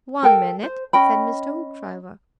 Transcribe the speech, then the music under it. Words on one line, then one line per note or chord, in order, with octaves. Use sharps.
"One minute!" said Mr. Hoopdriver.
A4 A#4 G5
C5
C#4 D#5 G5 B5